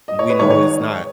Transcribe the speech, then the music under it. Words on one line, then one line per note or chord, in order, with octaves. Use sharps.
We know it's not
D#5
C#5
B4
G#2 D#3 G#3 D#4 C#5
C#5